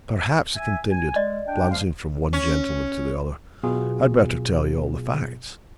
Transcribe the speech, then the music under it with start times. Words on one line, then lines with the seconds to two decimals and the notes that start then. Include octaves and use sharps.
Perhaps," he continued, glancing from one gentleman to the other, "I had better tell you all the facts.
0.55 E5 G#5
0.92 G#5
1.16 G#3 D5 D#5
1.47 D4 G5
1.71 F3 G#3 F5
2.33 C#4
3.63 B2 F#3 B3 F4 G#4